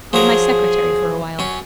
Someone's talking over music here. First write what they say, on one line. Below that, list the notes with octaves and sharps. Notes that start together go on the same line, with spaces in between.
Be my secretary for a while.'
F3 F#3 G#4 A#4
F#2 C#4